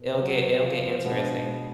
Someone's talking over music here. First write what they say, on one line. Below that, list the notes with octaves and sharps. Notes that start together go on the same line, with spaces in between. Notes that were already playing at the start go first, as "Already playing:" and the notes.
it'll get it'll get interesting.
Already playing: B2
F#3
F3
B2 G#3 B3 D4